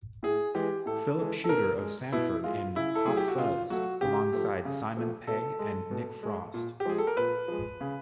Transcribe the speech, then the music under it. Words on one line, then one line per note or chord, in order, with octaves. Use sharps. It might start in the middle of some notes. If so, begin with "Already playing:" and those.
Philip Shooter of Sandford in "Hot Fuzz", alongside Simon Pegg and Nick Frost.
A2 G#4
E3 G#3 G4
A2 A4
E3 G#3
A4
B2 A#4
G#3
B2 E4
G#3 F4
C#3 E4
A4
F#3 A3 G#4
G4
F#4
C#3 F4
F#3 A3 F#4
C#3 G4
F3 A3
C#3
F3 A3
B2 A4
G#3
B2
G#3
A#2
G4
F3 G#3 G#4
A4
A#4
A#2 B4
F3 G#3
C#3